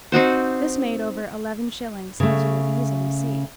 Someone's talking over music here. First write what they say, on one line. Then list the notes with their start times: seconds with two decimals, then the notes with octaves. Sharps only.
This made over eleven shillings, as you will easily see.
0.12 C4 D#4 F#4 C5
2.20 C#3 A3